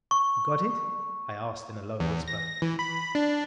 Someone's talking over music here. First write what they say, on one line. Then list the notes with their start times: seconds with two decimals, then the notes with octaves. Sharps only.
"You got it?" I asked in a low whisper.
0.11 C#6
2.00 E2
2.28 A#6
2.62 E3
2.79 B5
3.15 D4